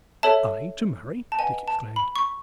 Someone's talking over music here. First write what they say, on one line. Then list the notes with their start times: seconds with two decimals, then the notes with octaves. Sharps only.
"I to marry!" Dick exclaimed.
0.23 A4 C#5 E5 A5
1.32 A5
1.38 B4 D#5 F#5 G#5
1.68 A5
1.96 B5
2.16 C#6